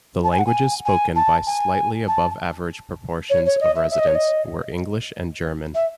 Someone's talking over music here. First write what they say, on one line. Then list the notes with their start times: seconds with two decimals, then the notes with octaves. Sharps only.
The languages spoken by slightly above-average proportions of residents were English and German.
0.24 A5
0.31 G#5
0.38 F#5
0.46 G#5
0.85 G#5
1.15 A5
1.46 G#5
2.07 A5
3.29 C#5
3.45 C#5
3.60 D#5
3.75 E5
3.90 E5
3.99 D#5
4.07 C#5
4.15 D#5
5.74 E5